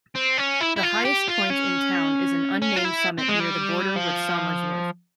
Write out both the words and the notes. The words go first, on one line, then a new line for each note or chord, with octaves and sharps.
The highest point in town is an unnamed summit near the border with Somersworth.
C4
C#4
E4
E4
F4
G4
F4
C#4
C#4
F4
E4
C4
G#3
G3
F3